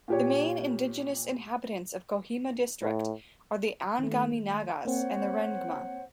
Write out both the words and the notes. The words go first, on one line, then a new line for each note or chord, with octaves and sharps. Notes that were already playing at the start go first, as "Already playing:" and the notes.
The main "indigenous inhabitants" of Kohima district are the Angami Nagas and the Rengma.
A#2 G4 C#5
A2
D#3 A3
A#3 C4 C5 C#5 F#5